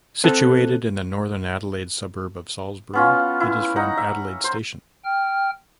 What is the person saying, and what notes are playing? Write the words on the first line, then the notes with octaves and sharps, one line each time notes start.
Situated in the northern Adelaide suburb of Salisbury, it is from Adelaide station.
C4 A4 F#6
B3 C#4 F4
E4
D#4 F#5 A#5
E5
C5
G5 F6